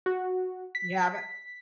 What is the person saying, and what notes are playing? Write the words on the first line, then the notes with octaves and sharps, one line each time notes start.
You haven't?
F#4
B6